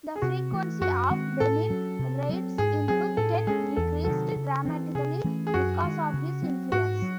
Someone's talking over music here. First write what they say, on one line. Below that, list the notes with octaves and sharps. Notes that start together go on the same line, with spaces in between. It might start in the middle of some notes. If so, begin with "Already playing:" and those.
The frequency of Paynim raids into Ket decreased dramatically because of his influence.
G#4
C3 F#4
E3 A3
F#2 F#4
D#3 G#3 C4
A2 A4
F#3 C#4
C3
F#3 C4
G#2 G#4
F#3 C4 G#4
A2 A4
G#3 C#4 G#4
E2 A4
C3 D#3 F#3 A4
C#3
E3 C4
C3 G#4
E3 A3 C#4
G#4
F#2 F#4
D#3 G#3
C#3
F#3 C4
G#2 F#4
F#3